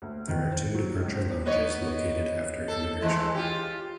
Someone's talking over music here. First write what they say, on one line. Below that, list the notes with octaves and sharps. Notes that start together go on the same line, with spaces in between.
There are two departure lounges located after Immigration.
D2
D#3
C5
F#3
C#2
C5
B3 D#4 C#5
A4
E3 G#3 E4
F4 G4